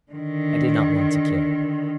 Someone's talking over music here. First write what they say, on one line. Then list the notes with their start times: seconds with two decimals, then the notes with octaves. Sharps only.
I did not want to kill.
0.12 D3 D#3